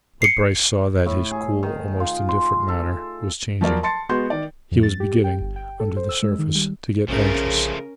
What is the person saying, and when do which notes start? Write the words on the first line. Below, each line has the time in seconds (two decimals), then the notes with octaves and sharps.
But Bryce saw that his cool, almost indifferent manner was changing--he was beginning, under the surface, to get anxious.
0.22 C7 C#7
1.06 A2
1.31 G#4
1.63 D#3
2.00 F4
2.29 C6
2.68 A4
3.61 F3 F#3 A#4 D5
3.83 A5 C6 A6 C#7
4.09 G#3 B3 F#4 C6 G6
4.30 D#3 D5
4.71 F2
4.83 A6
5.00 G4
5.24 G5
5.41 G1
5.56 G5
5.80 A4
5.96 C5
6.09 E6
6.22 G#3
6.39 D#3
6.55 G3
7.08 A#1 C#3 F3 A3 C#4 A#4